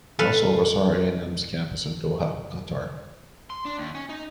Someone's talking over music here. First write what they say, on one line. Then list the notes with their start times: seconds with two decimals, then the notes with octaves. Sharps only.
He also oversaw A and M's campus in Doha, Qatar.
0.19 A4 B4 F5
3.50 C6
3.65 D4
3.78 D#2
3.95 C#4
4.09 D#4